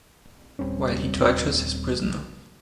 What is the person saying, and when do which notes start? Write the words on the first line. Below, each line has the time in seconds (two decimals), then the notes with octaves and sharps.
While he tortures his prisoner.
0.59 D#1 G3 C4 C#4